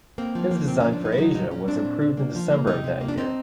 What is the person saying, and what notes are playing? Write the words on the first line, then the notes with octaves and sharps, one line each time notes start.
His design for "Asia" was approved in December of that year.
A#3 C4
F3
A#3
A#3 C4
C#4
F3
D4
A2 D#4
E4
F#3 D#4
A#2 D#4
F#3 C#4
C4 D4
A#2
C4
A#3
F3
A#3
C3 D#4
C3
A#3
D4
C4 D#4